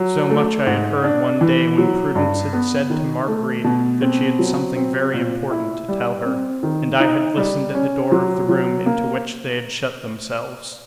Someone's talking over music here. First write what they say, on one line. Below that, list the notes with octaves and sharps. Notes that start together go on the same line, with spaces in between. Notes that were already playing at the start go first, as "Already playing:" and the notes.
So much I had heard one day when Prudence had said to Marguerite that she had something very important to tell her, and I had listened at the door of the room into which they had shut themselves.
Already playing: F#3
A3
G#2
D4
E3
F#3
G2
B3
D#3
A3
B2
C4
F#3
C4
A#2
E4
G3
C4
D#3
D#4
G3
C#4
F#3
F#3
A#3